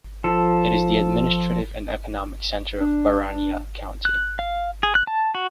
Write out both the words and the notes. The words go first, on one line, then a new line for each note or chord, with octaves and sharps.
It is the administrative and economic centre of Baranya County.
F3 A4
D4
F#6
F5
G#4
F#6
A5
F#4